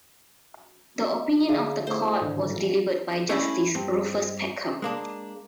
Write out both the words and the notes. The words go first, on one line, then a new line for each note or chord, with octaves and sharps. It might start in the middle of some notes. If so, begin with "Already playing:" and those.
The opinion of the Court was delivered by Justice Rufus Peckham.
D3 G#4 E5 F5
A3 E4 C5
G#2 D3 D#3
A3 C#4 D4 E4
G2 C4
G#3 A#3 D4